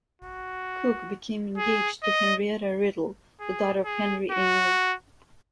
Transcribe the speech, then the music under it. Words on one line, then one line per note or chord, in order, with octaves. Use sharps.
Cooke became engaged to Henrietta Riddle, the daughter of Henry Ainley.
F#4
G#4
D#5
G#4
G#4
F#4